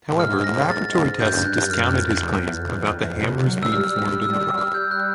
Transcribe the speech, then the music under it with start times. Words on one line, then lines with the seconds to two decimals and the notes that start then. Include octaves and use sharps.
However, laboratory tests discounted his claim about the hammer's being formed in the rock.
0.12 A2
0.19 G#2 F6
0.44 A#6
0.70 A6
1.20 G2 G6
1.30 F#2
1.41 G2 F#6
1.70 F#2 F6
1.96 F2
2.22 E2
2.60 F2
2.71 E2
2.84 F2
2.97 E2
3.09 F2
3.23 B2
3.29 C#3
3.35 C3
3.47 F#3
3.60 G3 E6
3.72 G3 F6
3.98 F6
4.23 E6
4.39 E6
4.58 F6
4.74 G6
4.91 F#6